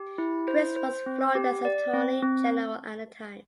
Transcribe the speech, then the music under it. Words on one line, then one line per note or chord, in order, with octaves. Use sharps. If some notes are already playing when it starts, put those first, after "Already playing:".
Crist was Florida's Attorney General at the time.
Already playing: G4
E4
C5
C5
C4
G4
D5
C4
C4